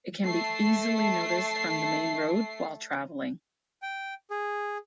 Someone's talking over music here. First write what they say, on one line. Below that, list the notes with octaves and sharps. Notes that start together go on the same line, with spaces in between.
It can be easily noticed from the main road while traveling.
A3 C7
G5
G#4